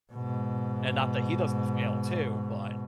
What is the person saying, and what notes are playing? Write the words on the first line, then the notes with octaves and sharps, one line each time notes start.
and not that he doesn't fail too, but
G#2 B2